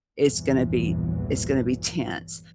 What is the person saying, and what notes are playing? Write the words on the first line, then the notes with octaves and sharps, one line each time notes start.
it's gonna be it's gonna be tense,
A#1 E2 G2 A#2 E3 F#3